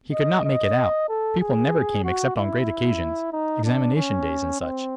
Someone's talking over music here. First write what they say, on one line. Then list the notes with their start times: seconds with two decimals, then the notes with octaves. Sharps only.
He could not make it out; people never came except on great occasions,--examination days and such.
0.13 D#5
0.45 D#5
1.09 A4
1.41 G#4
2.04 F#4
2.37 E4
3.33 D#4
3.65 D4
3.96 C#4
4.60 C4